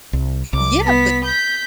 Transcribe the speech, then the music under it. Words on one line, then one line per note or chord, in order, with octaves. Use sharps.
Yeah, but
C2
C2 D6
B3 B6
G6 B6